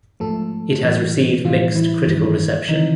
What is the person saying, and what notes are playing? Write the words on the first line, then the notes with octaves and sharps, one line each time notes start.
It has received mixed critical reception.
G#2 F3 A3 A4
A2 E3 G3
A2 E3 F3 G3 F4
E3 E4
G2 D#3 G3
C3 D#3 E3 D#4